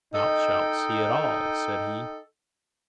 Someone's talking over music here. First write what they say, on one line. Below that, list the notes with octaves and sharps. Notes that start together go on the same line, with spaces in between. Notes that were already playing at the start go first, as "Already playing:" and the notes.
"Thou shalt see it all," said he.
D#4 A4 D#5 G5